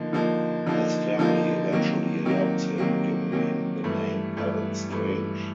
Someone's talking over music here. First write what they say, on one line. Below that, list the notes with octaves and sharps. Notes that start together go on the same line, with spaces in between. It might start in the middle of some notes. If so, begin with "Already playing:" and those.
This family eventually adopts him, giving him the name "Allen Strange".
Already playing: D3 F3 A#3 D#4
D3 F3 A#3 D#4
D3 F3 A#3 D#4
D3 F3 A#3 D#4
C3 D#3 F#3 A#3
C3 D#3 F#3 A#3
C3 D#3 F#3 A#3
C3 D#3 F#3 A#3
G2 E3 A3
G2 E3 A3
G2 E3 A3